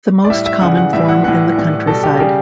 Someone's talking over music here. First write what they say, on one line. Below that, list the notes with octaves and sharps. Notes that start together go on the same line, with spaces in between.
The most common form in the countryside.
D5
A2 G3 E5
E5
C#3 E3 G3 F#5
F#5
A2 E3 G3 E5
F#5
A2 E3 G3 F#5
A2 E3 G3
B2 G3 A4
G4
C#3 G3 G4